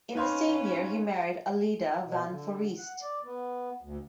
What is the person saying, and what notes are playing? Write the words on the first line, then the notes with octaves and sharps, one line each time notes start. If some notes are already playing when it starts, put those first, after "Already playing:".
In the same year he married Aleida van Foreest.
C#4 D#4 B4 C#5 F5 B5 C6
B2
D3
F#5
D5
B3
D2